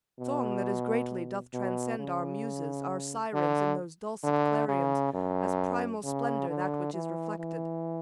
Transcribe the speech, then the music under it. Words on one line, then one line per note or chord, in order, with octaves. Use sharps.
Song that as greatly doth transcend our Muses, Our Sirens, in those dulcet clarions, As primal splendour that which is reflected.
B2
B2
C#3
D3
D3
C#3
F#2
C#3
D3
E3
E3